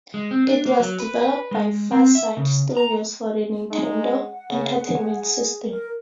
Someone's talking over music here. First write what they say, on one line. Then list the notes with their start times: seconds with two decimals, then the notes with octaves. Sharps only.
It was developed by FarSight Studios for the Nintendo Entertainment System.
0.14 G#3
0.31 C4
0.47 D4
0.65 A#3
0.80 F#3
1.00 B4
1.22 B4
1.51 G#3
1.92 C4
2.15 E5
2.37 C#3
2.77 A#5
3.71 G#3 D#4
4.04 F#5
4.50 C#3
4.84 G#4
5.70 A#4